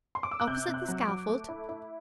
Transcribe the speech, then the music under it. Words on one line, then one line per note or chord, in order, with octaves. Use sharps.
"Opposite the scaffold?"
C6
D6
E6
F#6
C3 G6
C3
F#6
F#3
D6
F#3
A3
E4
E4